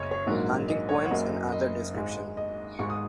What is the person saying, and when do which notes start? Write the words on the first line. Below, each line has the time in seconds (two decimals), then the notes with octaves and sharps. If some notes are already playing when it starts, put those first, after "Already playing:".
Hunting poems and other description.
Already playing: F#1 F#2 C#3 C#5 D#5
0.11 C#5
0.26 A#1 G#2 F#3 A#3
0.69 D#5
0.89 C#5
1.05 F#5
1.11 F#1 F#2 F#3 A#3 D#5
1.52 D#5
1.94 G#1 G#2 G#3
2.37 D#5
2.79 G#1 G#2 G#3 C#6
2.90 D#6